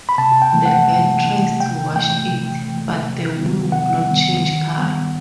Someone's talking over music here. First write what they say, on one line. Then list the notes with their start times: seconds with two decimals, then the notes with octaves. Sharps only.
The girl tries to wash it, but the wool would not change color.
0.09 B5
0.18 C3 A5
0.42 G5
0.53 E3 A3
0.66 F#5
0.89 C3
1.24 E3 A3
1.60 C3 G5
1.96 E3 A3 G5
2.31 C3
2.66 E3 A3
3.02 C3
3.37 D#3 G3 B3
3.72 C3 F#5
4.08 D#3 G3 B3
4.42 D#3
4.78 G3 B3